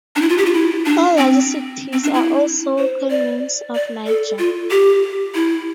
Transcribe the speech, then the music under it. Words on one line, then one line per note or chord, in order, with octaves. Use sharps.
All larger cities are also Communes of Niger.
D4
E4
F4
G4
F4
E4
D4
C4
C4
D4
E4
C5
D5
D5
A4
F4
G4
E4